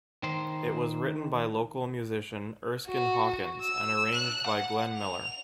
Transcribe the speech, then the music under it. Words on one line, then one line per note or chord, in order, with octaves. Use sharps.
It was written by local musician Erskine Hawkins and arranged by Glenn Miller.
D#3 C5
F#4
E6
F#6
F#5
F7